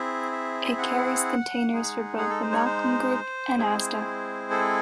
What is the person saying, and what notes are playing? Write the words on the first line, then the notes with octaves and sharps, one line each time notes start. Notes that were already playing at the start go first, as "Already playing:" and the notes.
It carries containers for both the Malcolm Group and Asda.
Already playing: C4 E4 G#4 E5
E5
F#5
G#3 D#4 G#4
G#4
A4
C5
C#5
C5
G#3 C4 E4 G#4
A4